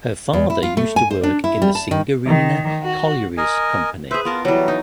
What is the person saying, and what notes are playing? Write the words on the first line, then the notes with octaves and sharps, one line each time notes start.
Her father used to work in the Singareni Collieries Company.
E2
E4
F4
A3
G#5
C5
D4
E4
G3
A5
D#3
D#3
F#4
A#4 D#5 G#5
G#4 B4 C5 E5
B3 F4 A#4 A5
E3 F#3 G3
D#4